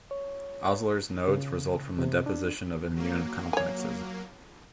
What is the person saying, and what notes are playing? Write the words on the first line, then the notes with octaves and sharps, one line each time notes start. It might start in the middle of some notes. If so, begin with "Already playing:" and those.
Osler's nodes result from the deposition of immune complexes.
C#5
C#3
C3
D4
F#3 A#3
C#5 G#5